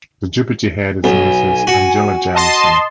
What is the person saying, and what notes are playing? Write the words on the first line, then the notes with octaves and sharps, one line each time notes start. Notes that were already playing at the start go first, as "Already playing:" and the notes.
The Depute Head is Mrs Angela Jamieson.
B1 G#5
F#4
D#5 A5 C6